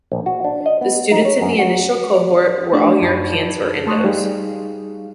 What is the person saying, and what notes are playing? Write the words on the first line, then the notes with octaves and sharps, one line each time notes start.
The students in the initial cohort were all Europeans or Indos.
A#1
F#4
D4
D#5
B3
D#4
C#5
F#2
F#4
D5
A3 D4 G4 D5
F#2 D#4 D5 A5 B5 G#6
A3 A5 C6 C#6 D#6 F#6
G3 D#4 G#4 F5